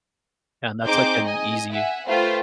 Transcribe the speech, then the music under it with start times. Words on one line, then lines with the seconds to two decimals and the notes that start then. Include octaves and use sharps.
And that's like an easy
0.84 C4 D#4 G#4 C5 D6 G6
1.23 D#5 G#5
1.71 E5 F#5 G#5
2.07 A3 F4 B4 C5 G5